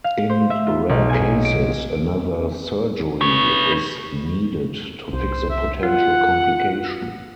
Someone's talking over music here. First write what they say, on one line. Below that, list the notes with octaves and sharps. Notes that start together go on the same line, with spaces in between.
In rare cases, another surgery is needed to fix a potential complication.
F5
C5
E5
F4
B1
G#5
D7
B4 C#5
C2 C5
E5
F4 F#5